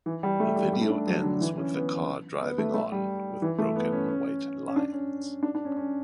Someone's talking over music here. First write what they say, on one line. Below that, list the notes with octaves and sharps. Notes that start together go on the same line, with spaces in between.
The video ends with the car driving on with broken white lines.
E3
G3
A3
G3
G3
A3
D4
F#3
D3
E3
C#4
B3
B3
A3
A3
G3
E3
A3
B3
C#4
C#4
C#4
D4
C#4
D4
D4
C#4
C#4